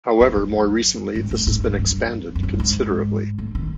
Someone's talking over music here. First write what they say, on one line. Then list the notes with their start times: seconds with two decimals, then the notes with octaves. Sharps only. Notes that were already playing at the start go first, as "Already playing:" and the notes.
However more recently this has been expanded considerably.
0.20 F2
0.36 F#2
1.15 G#2
1.31 A2
1.47 G#2
1.64 F#2
1.79 G2
2.35 F#2
2.43 G2
2.60 G#2
3.38 A2
3.55 D#3